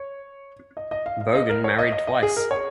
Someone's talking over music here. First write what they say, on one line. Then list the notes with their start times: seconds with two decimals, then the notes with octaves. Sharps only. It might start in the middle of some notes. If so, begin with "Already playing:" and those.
Bogan married twice.
Already playing: C#5
0.77 D#5
0.91 D#5
1.06 F5
1.21 F5
1.35 D#5
1.49 A#4
1.64 C#5
1.79 D#5
1.92 D#5
2.07 D#5
2.23 G#4
2.37 A#4
2.51 C#5